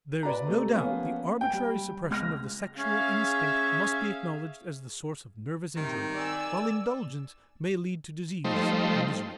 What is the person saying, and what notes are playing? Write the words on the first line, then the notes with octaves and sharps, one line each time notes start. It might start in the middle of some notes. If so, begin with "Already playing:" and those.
There is no doubt the arbitrary suppression of the sexual instinct must be acknowledged as the source of nervous injury while indulgence may lead to disease and misery.
B4 D5 A#5
C3 A3
F3 A#3 B3 C#4 F4
G5
G3
C#2 F6 A#6
C#4 G#4 E5 F5
G2 C3 D#3
D5 G#5 E6
F3 G3 A3 D#4 C5